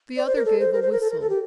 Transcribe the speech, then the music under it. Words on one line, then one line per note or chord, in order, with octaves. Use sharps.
The other gave a whistle.
D5
C5
A#4
A4
C5
A#4
C5
A#4
A4
A#4
A4
G4